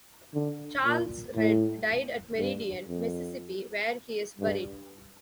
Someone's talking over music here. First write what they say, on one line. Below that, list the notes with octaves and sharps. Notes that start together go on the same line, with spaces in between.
Charles Read died at Meridian, Mississippi, where he is buried.
D3
A#2
A2
G2
F2
G2